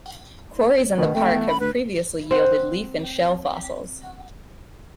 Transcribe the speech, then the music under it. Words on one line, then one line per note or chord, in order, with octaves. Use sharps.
Quarries in the park have previously yielded leaf and shell fossils.
D2 B2 D#3
F1 A3 G5
E2
A1 B5
D2 B4
C4 F#5